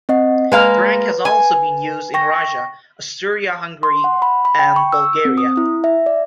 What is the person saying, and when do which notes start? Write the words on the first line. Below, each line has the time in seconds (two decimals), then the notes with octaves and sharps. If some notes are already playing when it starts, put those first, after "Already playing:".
The rank has also been used in Russia, Austria-Hungary, and Bulgaria.
0.09 C4 D#5 F#5
0.52 G#3 A#3 B4 F5
1.25 G#5
2.14 G5 C#6 A#6
3.83 C6
4.04 F#5
4.22 B5
4.45 B5
4.59 G5
4.76 C#6
4.92 E6
5.25 C4
5.38 D#6
5.57 E4
5.84 E5
6.06 D5